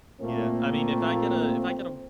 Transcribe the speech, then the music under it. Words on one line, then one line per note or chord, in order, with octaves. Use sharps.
Yeah. I mean, if I get a if I get, uh,
A#2 A3 A#3 C4